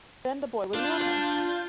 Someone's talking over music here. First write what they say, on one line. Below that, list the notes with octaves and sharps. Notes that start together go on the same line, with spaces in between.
Then the boy was in your house!
D4 F4 G6